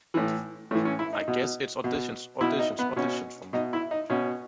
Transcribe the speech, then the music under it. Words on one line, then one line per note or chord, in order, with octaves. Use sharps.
I guess it's auditions, auditions, auditions for me.
A2 E3
A2 E3 A3
C#4
E4
D#4
B2
B2
B2 E4
D#4
B3
B2 C#4
B2 D#4
E4
D#4
B2 C#4